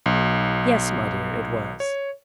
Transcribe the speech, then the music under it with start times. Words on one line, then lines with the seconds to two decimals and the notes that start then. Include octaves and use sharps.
'Yes, my dear, it was.'
0.06 B1
1.80 C#5